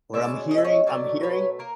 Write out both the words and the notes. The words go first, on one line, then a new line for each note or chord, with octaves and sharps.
or I'm hearing I'm hearing
B2 G#3 C#4 D5 E5
D#5
E5
C#5 D#5
B2 F#3 A3 D5
B4 C#5
A#3 A#4